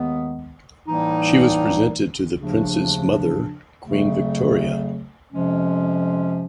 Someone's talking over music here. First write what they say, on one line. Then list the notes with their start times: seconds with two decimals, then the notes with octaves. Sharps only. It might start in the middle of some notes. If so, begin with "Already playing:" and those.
She was presented to the Prince's mother, Queen Victoria.
Already playing: D#2 D#3 G#3 B3
0.87 A2 E3 G3 A#3 D#4
2.35 D#2 C#3 F3 A3 D4
3.84 F2 C#3 F#3 A3
5.32 F2 C3 F3 G#3 C#4